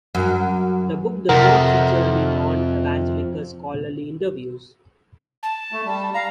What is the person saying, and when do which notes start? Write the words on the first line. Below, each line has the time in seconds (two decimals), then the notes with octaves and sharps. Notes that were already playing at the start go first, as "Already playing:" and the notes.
The book does not feature any non-evangelical scholarly interviews.
0.15 F#2
1.29 F2 C3 A#4 F#5
5.43 A5
5.72 A3
5.85 G3
6.14 F5 A#5